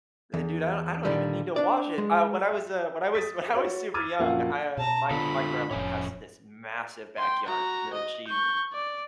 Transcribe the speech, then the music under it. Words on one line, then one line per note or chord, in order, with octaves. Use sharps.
Uh, dude, I do I don't even need to wash it. Uh, when I was, uh, when I was when I was super young, um my my grandma has this massive backyard, uh, she
E2
A#2 D3 D#3 G3
D4 D5
G#3
E5
D#6 A6 B6
F#4 C#5
D6 E6 F6 G#6 A6 D#7
A#1 F#2 A#3 F5 F#5 E6
B2 A5 A#5
D3 B3 D4 F4 A4 B5
F1 A2 F3 C#4 C#5
G5 C6
F#4 A#5
D#5
C#6 G6
D5